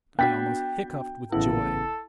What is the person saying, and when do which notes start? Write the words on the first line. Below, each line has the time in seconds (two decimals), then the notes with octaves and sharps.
I almost hiccoughed with joy.
0.19 B3 D4 F#4 G5 F#6 A6 B6
1.32 A1 C#3 B3 E4 A4